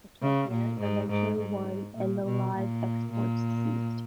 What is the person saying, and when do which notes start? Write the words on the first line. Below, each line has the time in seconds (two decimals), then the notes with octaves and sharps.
The campaigners eventually won and the live exports ceased.
0.22 C#3
0.51 A#2
0.80 G#2
1.10 G#2
1.39 G#2
1.96 A#2
2.25 B2
2.55 A#2
3.13 A#2